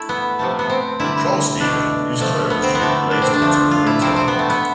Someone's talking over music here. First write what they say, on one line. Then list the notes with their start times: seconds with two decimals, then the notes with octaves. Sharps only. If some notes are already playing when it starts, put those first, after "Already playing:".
"Trollstigen" is closed during late autumn and winter.
Already playing: A3 E4
0.09 B3
0.39 C3 F3 A3
0.59 B3
0.70 C4
0.99 D3 G3 E4
1.60 B2 A3 D4
2.20 D3 F3 A3
2.50 B3
2.63 C4
2.75 B3
2.81 D3 A3
3.11 D4
3.22 C4
3.34 D4
3.42 D3 F3 A3
3.71 F4
3.87 E4
4.01 C3 F3 A3 C4
4.16 C4
4.28 B3
4.39 A3
4.49 B3